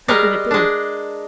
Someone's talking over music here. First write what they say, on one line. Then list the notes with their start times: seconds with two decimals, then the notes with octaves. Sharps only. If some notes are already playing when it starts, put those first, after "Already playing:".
Who could it be?
0.08 G3 G#3 A#4
0.51 G#3 D4